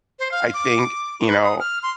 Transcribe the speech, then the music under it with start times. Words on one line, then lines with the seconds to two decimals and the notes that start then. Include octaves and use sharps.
I think, you know,
0.19 C5
0.32 F5
0.54 D6
1.27 B4
1.43 D#6
1.60 F6
1.83 C6